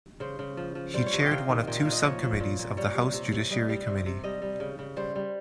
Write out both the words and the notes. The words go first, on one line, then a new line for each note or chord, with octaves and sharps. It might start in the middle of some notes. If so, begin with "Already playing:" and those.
He chaired one of two subcommittees of the House Judiciary Committee.
C#3 C5
C#3
F3
F3
G3 C5
C#5
C3
D#5
G5
C3 F5
D#3
A#2 G5
F5
A#2
D#5
F3 C#5
F3
A#2
A#2
G3 C#5
G3
C3
C3
G3 D#5
G3
C3
C3
G3 D#5
G3
C#3
C#3
G3 C5
G3